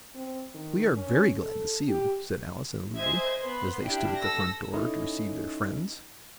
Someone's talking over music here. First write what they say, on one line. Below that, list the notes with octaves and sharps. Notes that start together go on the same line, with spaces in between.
"We are very glad to see you," said Alice and Lulu, as they stood at the front door to receive their friends.
C4
D#3
C#4
A4
G4
C5 D#5 E5 G#5 G#6
B3 B4 C6
D4 E4 G4
A4 E6 A#6
C#4 D#4 E4 A4 B4